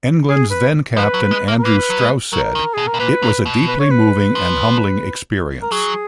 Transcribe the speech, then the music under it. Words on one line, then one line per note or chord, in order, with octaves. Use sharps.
England's then captain Andrew Strauss said: "It was a deeply moving and humbling experience".
G#4
B4
F3 B4
F#3
G#3
A#3
A#4
A#3 B4
F#3
G#3
F#3 A#4
D#3
B2 G#4
A#4
B2
A#2 B4
A#2
B2
B4
C#5
B4
F3
A#4
F#3 G#4